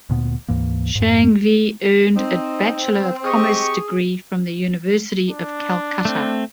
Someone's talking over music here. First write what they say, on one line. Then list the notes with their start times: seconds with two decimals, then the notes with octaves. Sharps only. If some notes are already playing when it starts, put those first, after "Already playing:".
Shanghvi earned a Bachelor of Commerce degree from the University of Calcutta.
0.10 D2 A#2 B3
0.48 D2 G#2 E3 A#3
0.95 F2 G#2
2.16 C4 D#4
3.25 G4 G#4 D#5 C#6
5.30 D4
6.05 A3 C4